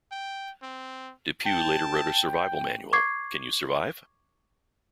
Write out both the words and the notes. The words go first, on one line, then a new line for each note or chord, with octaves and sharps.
DePugh later wrote a survival manual, Can You Survive?
G5
C4
G5 A5
C#6 D6 G#6 C7